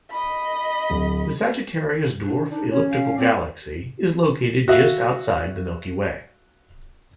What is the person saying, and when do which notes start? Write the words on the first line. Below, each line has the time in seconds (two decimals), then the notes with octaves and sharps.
The Sagittarius Dwarf Elliptical Galaxy is located just outside the Milky Way.
0.11 D#5 B5
0.90 D1
2.22 D4
2.50 D4 D#4
2.71 C#4 C#5
2.90 F5
3.18 F#3 C4 D5 D6
4.68 F#4 E5 F5